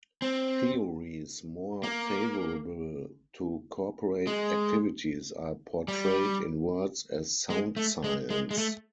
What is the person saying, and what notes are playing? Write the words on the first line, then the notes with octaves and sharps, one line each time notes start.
Theories more favorable to corporate activities are portrayed in words as sound science.
C4
A#3
G#3
G3
G#3
A3
G#3
G#3
G#3
A3